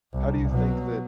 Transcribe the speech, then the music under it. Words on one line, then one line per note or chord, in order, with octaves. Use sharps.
How do you think that
C2
B2 F#3